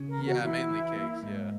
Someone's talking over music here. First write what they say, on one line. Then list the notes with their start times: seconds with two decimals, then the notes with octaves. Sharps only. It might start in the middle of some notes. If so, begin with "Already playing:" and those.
Yeah, mainly cakes, yeah.
Already playing: C#3
0.09 A#4
0.18 E2
0.27 F#4
0.44 E3 E4
0.71 E3
0.96 A#3
1.23 G#2